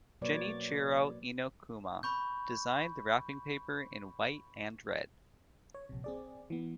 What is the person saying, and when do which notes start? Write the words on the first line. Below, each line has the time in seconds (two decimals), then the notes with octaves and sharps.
Genichiro Inokuma designed the wrapping paper in white and red.
0.22 B2 F#3 A#3 B4 C#5 D5
2.03 B5 C#6 G6
5.74 C#5
5.89 A#1 C3
6.04 C4 G#4 D5
6.50 E3 B3